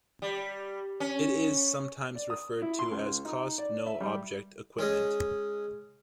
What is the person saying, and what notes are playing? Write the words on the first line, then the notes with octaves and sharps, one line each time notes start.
It is sometimes referred to as cost-no-object equipment.
G3
C#4
D5
D#6
E4
C6
C#2
D#4
D5
E5
G3
G#3 C#4 G#4 D#5